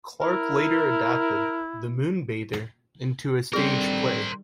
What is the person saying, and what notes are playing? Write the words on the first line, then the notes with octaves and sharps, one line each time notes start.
Clarke later adapted "The Moonbather" into a stage play.
E4 A#4
D3 D#3 G3 C4 G#4 A#4 C5